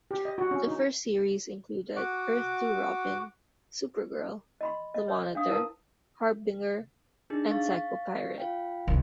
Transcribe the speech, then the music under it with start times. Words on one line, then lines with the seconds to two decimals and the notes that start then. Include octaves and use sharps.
The first series included Earth-Two Robin, Supergirl, the Monitor, Harbinger and Psycho-Pirate.
0.11 G4
0.25 D#5
0.38 F#4
0.51 C#4
0.67 D#4
1.96 F#4 F#5 D6
4.61 D#5 B5 C6
4.94 D#5
5.08 C#5
5.35 D4 F5 D#6
5.49 E4 A#4 B4 A5 D#6
7.30 D4 D#4 G#4
7.50 F5 C#6 A6
8.38 F4 F5 G5
8.88 C2